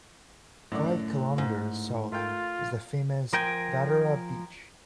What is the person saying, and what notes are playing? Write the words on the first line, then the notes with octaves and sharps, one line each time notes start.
Five kilometers south is the famous Vatera beach.
F#2 A2 D3 D5
G#2
A3 F4 A#4 G5
F3 A#4 G5 G#5